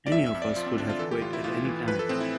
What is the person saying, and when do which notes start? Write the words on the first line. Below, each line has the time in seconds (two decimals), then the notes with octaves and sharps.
Any of us could have quit at any time.
0.07 D5
0.12 F2 E5
0.26 E5
0.35 F2
0.42 D5
0.56 F3 F4
0.66 C4
0.78 D3 D4
0.89 F4
0.99 E3 A4
1.11 G4
1.22 A2 F4
1.33 E4
1.44 A2 F4
1.65 E3
1.88 F3 B4
1.99 A4
2.09 A2 C4
2.20 E4